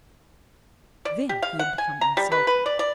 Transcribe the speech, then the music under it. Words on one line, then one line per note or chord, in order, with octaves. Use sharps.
Then he had become insulting.
D5
G4
F5
F#5
G#5
A#5
G3
B4
B4
D5
D5